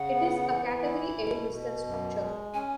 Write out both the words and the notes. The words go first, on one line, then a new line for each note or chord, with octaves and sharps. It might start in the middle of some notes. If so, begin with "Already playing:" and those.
It is a Category A listed structure.
Already playing: C#3 F#5
B3
E3
E4
B2
B2
F#2
G#3
C#4 G#5